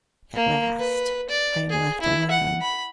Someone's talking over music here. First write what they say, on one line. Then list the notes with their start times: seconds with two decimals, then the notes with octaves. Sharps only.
At last I am left alone.
0.35 A#3
0.79 B4
1.29 D5
1.70 G#4
2.01 E4
2.31 F#5
2.62 B5